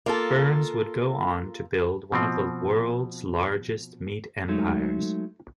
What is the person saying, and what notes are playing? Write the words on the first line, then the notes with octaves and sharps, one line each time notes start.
Burns would go on to build one of the World's largest meat empires.
A#3 F4 A4
B2 F3 C4
F#3 G#3 A3 D#4